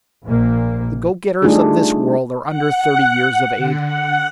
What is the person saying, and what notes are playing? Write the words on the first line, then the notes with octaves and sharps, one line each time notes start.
The go-getters of this world are under thirty years of age.
A#1 A#2 A#3
G3 A3 D4 D#4 F4 G#4
F#5
D3
F#5